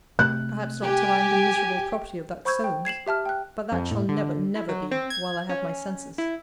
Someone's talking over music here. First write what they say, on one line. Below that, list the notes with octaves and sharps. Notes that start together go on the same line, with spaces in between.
Perhaps not till I am the miserable property of that Solmes!--But that shall never, never be, while I have my senses.
C3 A3 F#6
G4 G#5
C5 B5 C#6 E6 G6 G#6
G5
G#6 C7 E7 F#7
G4 E5 A5 F6
G5 F#6
F2
A2
D3
E4
F#3
C4
G#6
C#4
E4